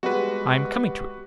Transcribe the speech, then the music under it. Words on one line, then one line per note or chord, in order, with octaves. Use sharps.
I'm coming to it!
G3 G#3 B3 F#4 B4